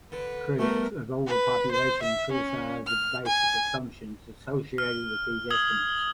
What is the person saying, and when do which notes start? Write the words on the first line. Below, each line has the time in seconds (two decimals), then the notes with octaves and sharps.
Critics of overpopulation criticize the basic assumptions associated with these estimates.
0.12 D3 B4
0.59 B2 G3 A3 A#4
1.27 B4
1.71 C5
2.03 E5
2.32 C#4
2.87 F6
3.26 G#5
4.78 F6
5.50 D#6 E6 G#6 F#7 G7